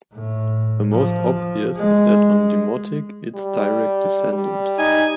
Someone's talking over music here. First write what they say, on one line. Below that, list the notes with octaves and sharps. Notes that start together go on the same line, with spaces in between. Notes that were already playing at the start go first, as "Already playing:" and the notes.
The most obvious is that on Demotic, its direct descendant.
A2
F3
G#3
G3
G3
D#4 G#5